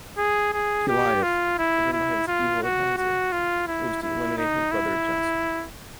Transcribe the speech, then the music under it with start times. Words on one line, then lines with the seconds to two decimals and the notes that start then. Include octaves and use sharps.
Elias, driven by his evil advisor, moves to eliminate his brother Josua.
0.17 G#4
0.53 G#4
0.88 G4
1.22 F4
1.58 E4
1.92 E4
2.27 F4
2.62 F#4
2.97 F#4
3.32 F4
3.67 E4
4.02 E4
4.37 D#4
4.71 E4